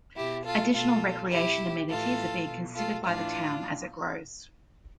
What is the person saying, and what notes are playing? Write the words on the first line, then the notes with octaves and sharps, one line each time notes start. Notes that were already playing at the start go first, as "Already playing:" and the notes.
Additional recreation amenities are being considered by the town as it grows.
B2 E4 G4
F4 A4
B2 F4 A4
B2 E4 G4
A2 E3 F4 A4
B2
F4 A4
A2 E3 D4 F4